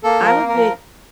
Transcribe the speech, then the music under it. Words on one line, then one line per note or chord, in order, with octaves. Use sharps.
I'm a big
A#3 A4
F3
A#4
A#3
A#4
F3